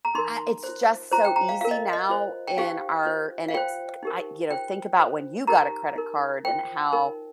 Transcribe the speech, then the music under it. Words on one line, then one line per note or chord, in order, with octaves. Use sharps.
uh, it's just so easy now in our and it's I you know, think about when you got a credit card and how
A#5
D#4 A#4 C6
F4 C5
F4 C5 A#5
G5
A#5
F5
F4 A#4 F5
D#5
D#5
F4 C5
G5
D#4 G4 C5 F5
F4 C5
F5
F4 C5 G5
D#4 G4 A#4
F4 C5 G5
F4 C5
D#4 G4 A#4 A#5
D#4 A#4
F4 C5 G5
D#4 A#4